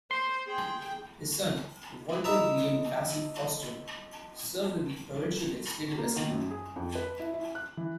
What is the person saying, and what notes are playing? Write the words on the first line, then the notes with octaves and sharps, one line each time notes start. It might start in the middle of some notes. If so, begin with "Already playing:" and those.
His son, Walter William Vassie Foster, served in the provincial Legislative Assembly.
C5 C6
G#4 G5
D#4 E4 E5 A5 A#5
A#3
D#3
F#2
G#4
F2
B4
E4
E4
F#6
E3